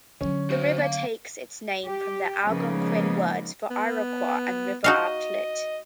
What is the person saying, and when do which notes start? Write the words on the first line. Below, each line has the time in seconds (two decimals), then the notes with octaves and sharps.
The river takes its name from the Algonquin words for "Iroquois" and "river outlet".
0.21 D3 F#3 C#4
0.50 F#4 C5
0.78 A#3 F5
1.86 G4
2.46 C#3 F3 G#3 A#3 B3 D#4
3.71 B3
4.84 D#4 F#4 D#5 F5